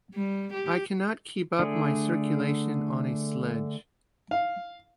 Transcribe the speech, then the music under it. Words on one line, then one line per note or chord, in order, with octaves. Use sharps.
I cannot keep up my circulation on a sledge.
G3
G4
D3 A3 G#4
F5